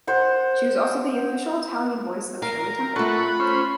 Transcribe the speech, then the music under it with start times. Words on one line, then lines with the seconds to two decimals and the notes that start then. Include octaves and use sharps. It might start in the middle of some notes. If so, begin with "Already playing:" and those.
She was also the official Italian voice of Shirley Temple.
0.07 C5 F#5
2.42 A#4 F5
2.96 A3 F4 A4 F#5 B5 C#6
3.40 C#4 C5